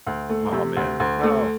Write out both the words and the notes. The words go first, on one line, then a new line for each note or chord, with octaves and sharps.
Aw, man. No.
D2
A3
C3
D2
D2
A3